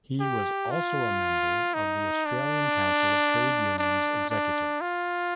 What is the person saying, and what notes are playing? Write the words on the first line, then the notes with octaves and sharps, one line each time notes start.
He was also a member of the Australian Council of Trade Unions executive.
G4
F4
D#4
D4
D4
D4
F4